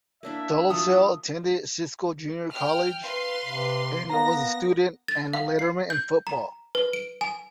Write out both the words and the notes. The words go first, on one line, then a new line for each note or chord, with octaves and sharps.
Dolezel attended Cisco Junior College and was a student and a letterman in football.
A#3 D4 E4 E5
F3 F#3 F4 D#6
G5 F6
B4 F5 C6
C3
A#3 B3 A#5 A#6
A6
F5
C7
G6
A#5
B4
D7
G#5